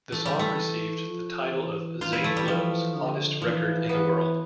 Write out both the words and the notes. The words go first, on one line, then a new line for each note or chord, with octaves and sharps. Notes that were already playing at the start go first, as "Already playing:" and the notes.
The song received the title of Zane Lowe's "Hottest Record in the World".
E3 A3
G3
A3
F3
E3
E3 F4
E4
A3
G3
F3
D3
E3 F3
E3 B3